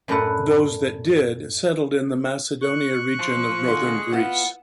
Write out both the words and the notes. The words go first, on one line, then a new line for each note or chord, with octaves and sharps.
Those that did settled in the Macedonia region of Northern Greece.
F#2 A2 D4 A4 B4 F#5
C#6 F#6
F3 C5
D3 F4 G#4 C6
B3 E4 F4 F#5